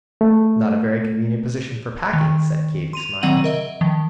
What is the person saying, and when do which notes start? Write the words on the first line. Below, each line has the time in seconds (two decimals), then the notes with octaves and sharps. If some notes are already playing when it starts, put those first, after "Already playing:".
"Not a very convenient position for packing," said Katy, smiling.
0.21 A3
2.13 D#3
2.93 C6 D#7 F7
3.22 D#3 F#3 C4 F#5 D#7 F#7
3.44 A#4 D#5 E5
3.81 D#3 F3